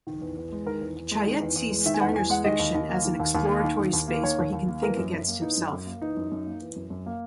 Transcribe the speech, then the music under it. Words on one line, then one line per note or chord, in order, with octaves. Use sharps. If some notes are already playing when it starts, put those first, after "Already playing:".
Cheyette sees Steiner's fiction as an exploratory space where he can think against himself.
D#3
E2
E2
G#3
D#3 A#4
E2
E2
G#3
D#3
E2
E2
G#3
D#3 E5
G#5
E2 F#5
E2 G#5
G#3 F#5
D#3 D#5
D#2
D#2
A#3
D#3
D#2
D#2
A#3
D#3
D#2
D#2
A#3
D#3 C#5
D#2
D#2
A#3
E3 A#4
F#2
F#2
A#3
E3 D#4
F#2
F#2
A#3
E3 D#4
F#2
F#2
A#3
E3
F#2
F#2
A#3